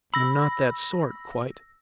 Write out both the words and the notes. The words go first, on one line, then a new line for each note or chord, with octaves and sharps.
"I am not that sort--quite."
B5 E6 A#6